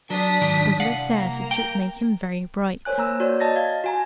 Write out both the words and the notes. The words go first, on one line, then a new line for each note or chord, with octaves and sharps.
Douglas says it should make him very bright.
F#3 D4 D#6 B6
G#2 D#3 F#3
C2 F5 F#5
A#3 A#5
A#4 G5
A#4 C5 C#5 G#5 F#6
A#3 A#5 E6
F#4 C#5 D5
D#5 A5 A6 A#6
F5 G#6
F#4 G#5 A#5